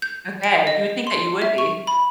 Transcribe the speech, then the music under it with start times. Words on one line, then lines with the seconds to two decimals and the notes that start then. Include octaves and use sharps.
Okay, you would think that you would be.
0.02 G6
0.44 D7
0.67 D#5
1.07 C6
1.42 E5
1.58 C#6
1.87 B5